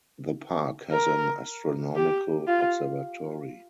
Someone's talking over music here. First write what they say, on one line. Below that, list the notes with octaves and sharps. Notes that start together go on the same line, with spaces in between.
The park has an astronomical observatory.
A#4
G4
F4